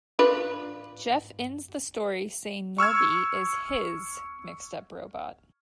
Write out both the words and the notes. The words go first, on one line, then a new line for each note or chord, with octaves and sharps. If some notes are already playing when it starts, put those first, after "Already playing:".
Jeff ends the story saying Norby is "his" Mixed-Up Robot.
D4 F4 B4
C#6 E6 F6 G#6